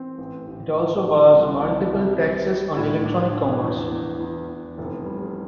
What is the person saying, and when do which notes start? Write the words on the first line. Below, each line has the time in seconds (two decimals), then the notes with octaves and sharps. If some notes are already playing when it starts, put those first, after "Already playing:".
It also bars multiple taxes on electronic commerce.
Already playing: E3 C4
0.18 A1
0.48 A1
0.76 D3
1.04 D3
1.33 C2
1.62 C2
1.91 C2
2.19 C2
2.48 G3
2.77 A2
3.05 D4
3.34 D4
3.63 E2
3.92 E2
4.20 E2
4.49 E2
4.78 F1
5.06 G3